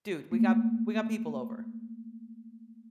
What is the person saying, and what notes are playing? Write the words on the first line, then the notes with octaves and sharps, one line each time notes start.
"Dude, we got we got people over,
A3 A#3